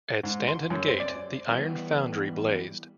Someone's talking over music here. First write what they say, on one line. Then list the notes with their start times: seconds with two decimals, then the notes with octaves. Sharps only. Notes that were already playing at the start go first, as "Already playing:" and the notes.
At Stanton Gate the iron foundry blazed.
0.23 G#2
0.48 C6
0.70 F#2
0.88 C4
1.00 D5
1.48 E3 G3 B3